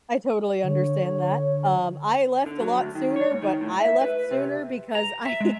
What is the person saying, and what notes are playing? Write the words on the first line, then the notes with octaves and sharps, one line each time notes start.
I totally understand that. Um, I left a lot sooner, but I left sooner because I
D3 C#5
D3
F#3
D2
D#3
C#5
G#2
D#3
A2
E5
B4
C3
A#5
E5
G#3